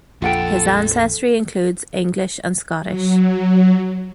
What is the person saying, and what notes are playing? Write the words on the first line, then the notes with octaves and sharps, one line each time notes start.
His ancestry includes English and Scottish.
A#1 F2 F4 A4 F#5 G5
F#3